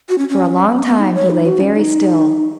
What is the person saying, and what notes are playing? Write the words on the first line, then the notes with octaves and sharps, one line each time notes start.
For a long time he lay very still.
F#4
C#4
C#4
B3
C#4
B3
D#4
C#5
D#4
F#4
C#4
D#4